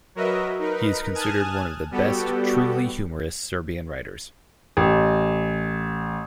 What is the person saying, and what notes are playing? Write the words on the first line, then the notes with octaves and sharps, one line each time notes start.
He is considered one of the best truly humorous Serbian writers.
F#3 F#4 A#4 B4 D#5 E5
D#4 A#4 B4
G#5 A5 D#6 F6 F#6 G#6
G3 B3 F#4 G4 A4
A1